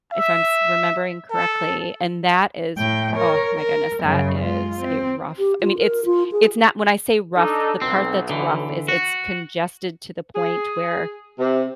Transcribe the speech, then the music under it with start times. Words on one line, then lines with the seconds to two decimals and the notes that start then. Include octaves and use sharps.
if I'm s remembering correctly. And that is- oh my goodness- that is a rough, I mean, it's it's not when I say rough, the part that's rough is it's congested to the point where
0.13 E5
1.31 A4
2.78 A2 G5
3.16 A#4 C#5
3.55 A#4
4.04 F#2 C#3
4.40 G#3 F4
4.81 C4
5.39 G4
5.61 F4
5.78 A#4
6.05 F4
6.32 G#4
7.36 D4 D#4 A4
7.82 B1 C4
8.30 D3 E3
8.88 F#4
10.34 G#4
11.39 C3